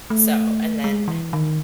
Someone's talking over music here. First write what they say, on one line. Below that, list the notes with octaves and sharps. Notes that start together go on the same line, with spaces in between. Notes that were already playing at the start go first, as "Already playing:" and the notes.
So and then,
A3
G#3
E3
D#3